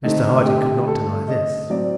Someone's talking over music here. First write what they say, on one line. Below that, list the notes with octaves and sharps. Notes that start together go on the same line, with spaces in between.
Mr Harding could not deny this.
D3 A3 C4 D#4
G4
A4
D#5
A2 F#3 C4 D5